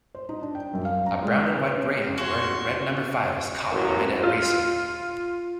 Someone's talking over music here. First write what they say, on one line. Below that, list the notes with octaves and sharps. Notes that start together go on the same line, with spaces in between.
A brown and white greyhound wearing a red number five is caught in midair racing.
C5
D#4
D4
G5
F#2
F5
A#5
G#3
B4
C#4
F#4 G#4 C6 C#6
D#4
A1 F#3 F#4 A#4
F4